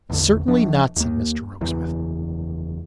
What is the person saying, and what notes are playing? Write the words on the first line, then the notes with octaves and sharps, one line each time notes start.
Certainly not, said Mr Rokesmith.
A1 E2 D3
D#1 F3 D4
D#2 A#3
F#1 E2 E3